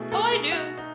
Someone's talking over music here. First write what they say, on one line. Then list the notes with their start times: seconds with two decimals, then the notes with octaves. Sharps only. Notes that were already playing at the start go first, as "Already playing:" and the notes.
Oh, I do,
Already playing: B2 A3 E4 G#4
0.12 A4
0.32 G#4
0.52 F#4
0.77 D#4